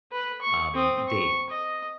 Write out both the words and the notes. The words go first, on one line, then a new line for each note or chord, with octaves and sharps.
um, dating.
B4
C#6
C4 D#6
C#6
D#5